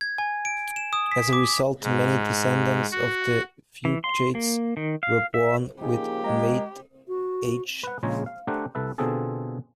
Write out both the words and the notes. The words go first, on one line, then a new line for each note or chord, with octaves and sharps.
As a result, many descendants of the Fugates were born with met-H.
G#6
G#5
D7
E7
D#6
B6
D6
G#2
F#4
E3
C6
A#3
D#3
F5
E5
C#3 F3 A#3 D#4 G4 G#4
G#3 A#4 A#5
F#4
B4 F#5
A#1 C#3 G#3 F4 C#5 A#5
F5
A3 D4 G4 A#4 C5 F#5
C2 A4 B4 E5
B2 D3 C4 F4 G#4 A4